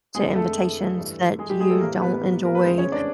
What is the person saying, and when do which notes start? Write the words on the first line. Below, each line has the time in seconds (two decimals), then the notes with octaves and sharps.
to invitations that you don't enjoy
0.15 F1 F2 D3 G#3 G#4
0.35 A3 A4
0.98 G2 E3 A3
1.39 G#3 G#4
1.50 G3 G4
1.60 G#3 G#4
1.70 A3 A4
1.81 A1 A2 E3 G3 A#3 A#4
2.01 B3 B4
2.45 A#4
2.55 B4
2.64 F1 E2 C#3 E3 G#3 C4 C5
2.78 C#4 C#5
2.92 D4 D5